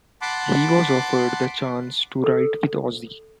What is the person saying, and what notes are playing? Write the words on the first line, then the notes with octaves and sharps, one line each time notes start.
He was offered the chance to write with Ozzy.
F#5 A5 B5 C6 D6
A4